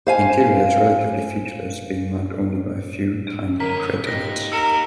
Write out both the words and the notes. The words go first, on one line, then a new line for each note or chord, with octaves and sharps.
The interior is relatively featureless, being marked only by a few tiny craterlets.
C5 F5 G#5
D3 C#4 A#4 B6
D#4 G4 A#6
A#4 E6 C#7 E7